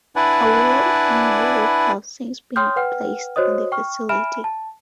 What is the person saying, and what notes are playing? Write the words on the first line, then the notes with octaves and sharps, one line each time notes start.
A wall and new roof have since been placed on the facility.
D4 E4 B4 D5 F#5 G#5
C#5 G5 C6 D#6 F6 G6
B4 F#5 G5 F6
F#4 C5 C#5 D#5 D#6
G5 C#6 F6
E5 G#5 B5 F6 D7 E7
A5